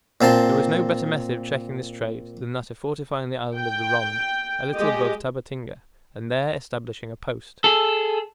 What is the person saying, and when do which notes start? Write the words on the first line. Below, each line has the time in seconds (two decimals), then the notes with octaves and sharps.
There was no better method of checking this trade than that of fortifying the Island of the Ronde, a little above Tabatinga, and there establishing a post.
0.21 A#2 C4 A5 C6
3.57 G5
4.76 G#3 G4 D#5
7.64 G#4 A4